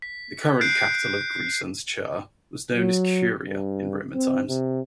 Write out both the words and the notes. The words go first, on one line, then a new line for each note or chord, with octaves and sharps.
The current capital of Grisons, Chur, was known as Curia in Roman times.
B6
F#6 G6 C7 D7
F#3
G2
C4
C3